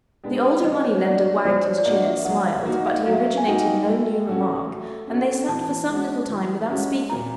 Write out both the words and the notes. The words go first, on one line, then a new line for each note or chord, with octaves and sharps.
The older money-lender wagged his chin and smiled, but he originated no new remark, and they sat for some little time without speaking.
G#3 B3 D4 G4
F3 D#5
C#5
A#3 D4 F#4 D5
C#5
F3 D5
C#5
D5
A#3 D4 F#4 D#5
E5
F#3 F#5
F5
A#3 D#4 F#4
F5
F#3 F5
E5
F5
G#5
A#3 D#4 F#4 G5
A3
C#4 F#4 A4
A3
C#4 F#4 A4
E3 A5
G#3 C#4 F#4
E3
G#3 C#4 F#4
A#2 A#5